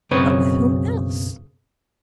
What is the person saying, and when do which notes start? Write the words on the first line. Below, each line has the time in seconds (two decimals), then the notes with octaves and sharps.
"But with whom else?"
0.11 B1 F#2 C#3 C4 B4 C#5